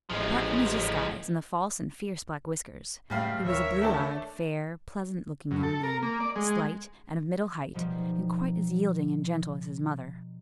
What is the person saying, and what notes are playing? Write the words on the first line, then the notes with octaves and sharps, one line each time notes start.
Apart from his disguise, and the false and fierce black whiskers, he was a blue-eyed, fair, pleasant- looking young man, slight, and of middle height, and quite as yielding and gentle as his mother.
A1 F3 G#3
F#1 A2 G3 F5
D1 D#3 A#4 C#5 E5
A3 D4 A4
F#2
A4
A#4
A#3
D5
G#3
B2 D#3 F3 G3